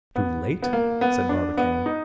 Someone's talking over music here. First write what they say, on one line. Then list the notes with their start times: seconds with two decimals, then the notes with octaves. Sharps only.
"Too late?" said Barbicane.
0.16 B3
0.62 B3
0.73 A#3
1.01 B3
1.29 D4
1.57 B3
1.86 D#4